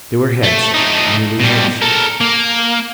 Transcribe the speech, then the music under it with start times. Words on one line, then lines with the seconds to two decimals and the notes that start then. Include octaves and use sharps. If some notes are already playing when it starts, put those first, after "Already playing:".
They were heads--merely heads.
0.43 A3
0.74 A3 D#4
1.40 B2 G3
1.82 A4 A#4
2.21 A#3